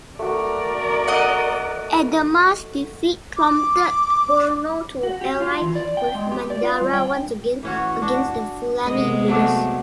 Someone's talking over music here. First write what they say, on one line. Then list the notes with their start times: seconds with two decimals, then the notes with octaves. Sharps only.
Adama's defeat prompted Borno to ally with Mandara once again against the Fulani invaders.
0.19 A3 F#4 A#4 D5
1.08 D#5 F#5
3.37 D6
5.03 F#4
5.21 G4
5.40 F4
5.61 E3
5.75 D5
5.97 G5
6.14 G#3
6.32 G4
6.50 D5
6.62 F4
6.81 G3
6.93 G5
7.63 E3 C#4 F#4
8.02 D4 F#4
8.86 C3 G#3 B3 D#5
9.28 F#3 A3 D4